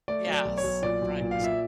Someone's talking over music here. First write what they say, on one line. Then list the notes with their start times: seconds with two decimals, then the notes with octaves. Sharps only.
Yes. Right.
0.08 A3 D5
0.26 F#3
0.32 D5
0.45 B1
0.58 C#5
0.64 B1
0.82 A#2 D5
1.02 B1
1.21 A#2
1.31 F5
1.40 A#2 E5